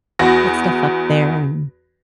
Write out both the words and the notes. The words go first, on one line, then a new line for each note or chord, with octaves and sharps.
put stuff up there and,
E2 F#4 A#6